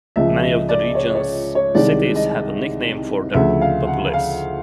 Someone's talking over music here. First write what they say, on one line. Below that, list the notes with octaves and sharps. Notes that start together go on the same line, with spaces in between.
Many of the region's cities have a nickname for their populace.
C#2 C#3 F3 E5
D#5
D5
C#5
C#5
C#5
C2 C3 D#3 G#3 D5
D#5
D2 C#3 F3 E5
F5
F#5
F5